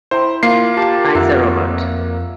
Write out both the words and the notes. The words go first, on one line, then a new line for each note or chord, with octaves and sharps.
Eyes are ovate.
E4 C5 G5 A#5 B5
A#3 F4 C7
G4 A5
F2 E5 F#5 A#5